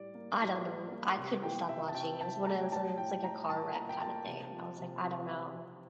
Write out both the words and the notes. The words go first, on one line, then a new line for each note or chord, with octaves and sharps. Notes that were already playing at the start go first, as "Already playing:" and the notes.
I don't know, I couldn't stop watching, it was one of those, it's, like, a car wreck kinda thing. I was, like, I don't know.
Already playing: A2 G3 D5
A#3
A2
G3
A#3
C3
E3 G5
C3 E5
A5
C3 G5
C3 A5
A3 A#5
G5
G3 A5
A2 G5
G3 A#5
A2 A5
A#3 A#5
G5
A#3 A5
C3
F3
C3
C3
F3
C3